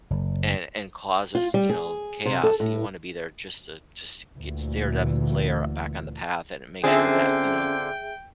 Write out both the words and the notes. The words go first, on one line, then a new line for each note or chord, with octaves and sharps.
and and causes, you know, chaos, you wanna be there just to, just get steer them clear back on the path and make sure that, you know,
F#1
F4
G3
G#4
C3
A4
A2
D2 A#2 E3
D3 C4 C#4 F4 G#4 E5 G5